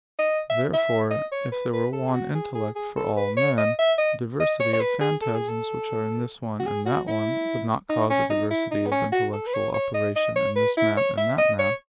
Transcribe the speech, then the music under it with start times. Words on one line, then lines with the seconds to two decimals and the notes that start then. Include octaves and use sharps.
Therefore, if there were one intellect for all men, the diversity of phantasms which are in this one and that one would not cause a diversity of intellectual operation in this man and that man.
0.19 D#5
0.50 E5
0.74 E5
1.11 D#5
1.32 C#5
1.52 B4
1.73 B4
1.93 A4
2.09 G#4
2.14 F#4
2.35 G#4
2.55 G#4
2.76 G#4
2.97 A4
3.17 B4
3.37 C#5
3.58 D#5
3.79 E5
3.98 D#5
4.40 D#5
4.60 C#5
4.74 C#5
4.81 B4
5.01 G#4
5.22 A4
5.35 G#4
5.49 A4
6.60 F#4
6.67 G#4
6.86 F#4
7.07 E4
7.90 D#4
8.10 C#4
8.30 D#4
8.51 E4
8.71 D#4
8.86 B3
8.92 C#4
9.12 F#4
9.33 A4
9.47 B4
9.54 C#5
9.74 C#5
9.94 D#5
10.16 D#5
10.36 C#5
10.56 B4
10.77 E4
10.97 C#5
11.18 E5
11.38 D#5
11.59 C#5